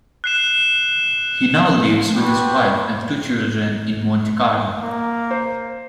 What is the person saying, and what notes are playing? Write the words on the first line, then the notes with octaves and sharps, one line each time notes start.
He now lives with his wife and two children in Monte Carlo.
F#6 C7 E7
C4 D4 F#4 G4 B4
A#3
C5